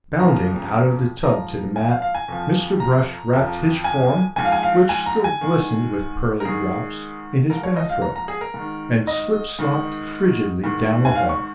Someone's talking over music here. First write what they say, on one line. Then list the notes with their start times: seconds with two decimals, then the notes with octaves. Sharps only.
Bounding out of the tub to the mat, Mr. Brush wrapped his form, which still glistened with pearly drops, in his bath-robe, and slip slopped frigidly down the hall.
0.19 F2 C#3 F3 A#5
1.23 G#2 F3 A#5
1.76 G#5
1.89 F5
2.02 F5
2.15 G#5
2.28 F2 F3
2.80 A#5
3.33 F2 F3
3.84 G#5
4.36 G#2 F3 G#5
4.45 F5
4.52 G#5
4.63 F5
4.89 G#5
5.06 A#5
5.24 G#5
5.41 G#2 D#3
6.40 A#4
6.45 G#2 D#3 G#4
7.50 G#2 F3 A#4
7.63 C#5
7.76 D#5
7.89 F5
8.02 A#5
8.16 A#5
8.28 G#4
8.41 A#4
8.54 G#2 D#3
9.07 D#5
9.59 G#2 D#3
10.64 G#2 D#3
11.05 G#5
11.15 F5
11.29 C#6